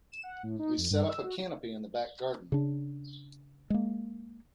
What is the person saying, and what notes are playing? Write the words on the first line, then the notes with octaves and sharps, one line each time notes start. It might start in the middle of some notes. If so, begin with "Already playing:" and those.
We set up a canopy in the back garden.
E7
F#5
A2
D#4
F2
G2
E6
F#4
C#3 D4
G#3 A#3